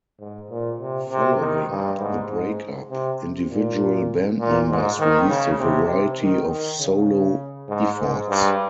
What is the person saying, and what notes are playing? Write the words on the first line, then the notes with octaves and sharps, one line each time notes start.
Following the breakup, individual band members released a variety of solo efforts.
G#2
A#2
C3
C3
D#3
G2
G#2
G#2
C3
A#2
A#2
G#2
D#3
C#3
C3
C3
D#3
D#3
C#3
G#2
G#2
G2